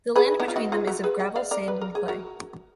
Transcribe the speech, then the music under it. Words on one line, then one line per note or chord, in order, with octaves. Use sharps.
The land between them is of gravel, sand and clay.
G#4 B4
B3 D#4
F4
D#4 F#4
F4 G#4
F#4 A#4
G#4 B4
D#5 F#5
D5 F5
A#4 D5
B4
A#4
G#4
F#4 A#4